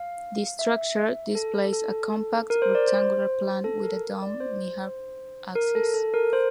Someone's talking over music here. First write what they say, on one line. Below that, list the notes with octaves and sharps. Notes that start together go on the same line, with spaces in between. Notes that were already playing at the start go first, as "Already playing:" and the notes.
The structure displays a compact rectangular plan, with a domed mihrab axis.
Already playing: F5
E5
A4
A4
A#4
C5
D5
C5
A4
A#4
D5
C5
A#4
A4
A4
A#4
C5